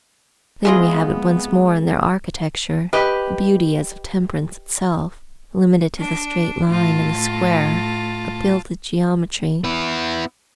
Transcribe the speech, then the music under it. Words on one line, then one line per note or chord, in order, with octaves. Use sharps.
Then we have it once more in their architecture, a beauty as of temperance itself, limited to the straight line and the square,--a builded geometry.
E3 G#3 B3 C4 F4 G#4 D#5
G4 B4 D#5
D4
A2 F4 A5
B3 E4